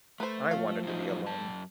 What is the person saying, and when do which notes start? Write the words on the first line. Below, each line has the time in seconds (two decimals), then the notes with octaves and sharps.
I wanted to be alone.
0.20 A3 B4 C5
0.51 F3 F5
0.83 A2 F#3 D#4
1.23 F#2 A5